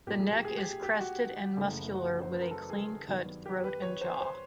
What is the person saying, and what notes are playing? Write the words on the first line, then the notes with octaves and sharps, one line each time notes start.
The neck is crested and muscular with a clean cut throat and jaw.
B1 A#2 F3 A3 G4
G#4
G4
G#4
G4
G4
F#4
F#1 F#2 C#3 E3 A3
F#4
C5
B4
A#4
A4
G#4
G2 D#3 F#3 B3
G4
B4
C#5
C5
C5